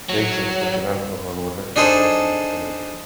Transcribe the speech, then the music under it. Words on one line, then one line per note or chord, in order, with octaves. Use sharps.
Flakes of cetyl alcohol were left behind on cooling.
F#3
D4 D#4 G#4 A4 C5